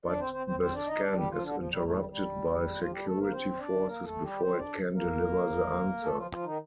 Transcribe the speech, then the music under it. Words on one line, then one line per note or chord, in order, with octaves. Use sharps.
But the scan is interrupted by security forces before it can deliver the answer.
D4 D5
C4 C5
C4 C5
C4 C5
C4 C5
D4 D5
D#4 D#5
D4 D5
G3 G4
F3 F4
D3 D4
F3
G3
A2 A3
G3
G3
F3 F4
G3 G4
A3 A4
A#3 A#4
C4 C5
C5
D4 D5
A#3 A#4
A3 A4
G3 G4
C4 C5
D4 D5
A#3 A#4
A3 A4
F3 F4
F3 F4
D#3 D#4